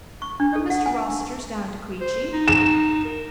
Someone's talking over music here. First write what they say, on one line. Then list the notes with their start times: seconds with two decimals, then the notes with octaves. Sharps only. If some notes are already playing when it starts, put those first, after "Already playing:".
"From Mr. Rossitur's down to Queechy."
0.22 C#6
0.40 D4
0.55 A4
0.70 F#5
0.86 G#5
2.01 C5
2.33 D#4
2.48 E7
3.05 A#4